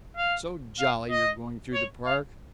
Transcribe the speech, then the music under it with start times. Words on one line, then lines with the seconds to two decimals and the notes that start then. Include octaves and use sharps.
"So jolly you're going through the Park."
0.17 F5
0.80 F5
1.11 D#5
1.74 C#5
2.06 F5